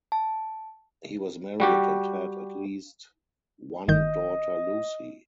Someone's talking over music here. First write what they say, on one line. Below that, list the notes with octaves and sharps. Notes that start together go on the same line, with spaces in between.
He was married and had at least one daughter Lucy.
A5
G3 F#4 G4
G1 D#3 D#5 G6